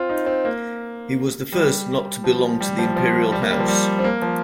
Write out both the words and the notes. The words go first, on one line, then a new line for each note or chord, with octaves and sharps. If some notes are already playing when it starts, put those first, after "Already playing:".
He was the first not to belong to the Imperial house.
Already playing: C4 F4
D#4
C4
A#3
G3
F3
G3
F3
F3
G3
A#3
G3
F3
G3
C4
A#3
F3